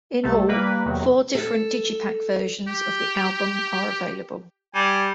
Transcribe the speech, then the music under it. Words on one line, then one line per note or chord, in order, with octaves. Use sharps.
In all, four different digipak versions of the album are available.
C2 C3 A3
G3 A#3 B4
E2 C3 D#3 F#3
A4
G4
G3 G#5